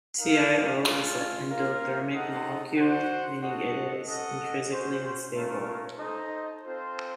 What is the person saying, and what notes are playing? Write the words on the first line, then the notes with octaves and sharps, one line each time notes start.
ClO is an endothermic molecule, meaning it is intrinsically unstable.
D#4 A#4 F5
A3 C#4 F4
A#3 F4 A#4 F5
D#4 A4 D#5 F#5
F#4 C5 F#5
F#4 A4 D#5 F#5
C#4 A4 D#5 F#5
C#4 F#4 C5
A3 C#4 F4 A#4 C#5
D#4 A4 C5 D#5
C4 F4 A4 C5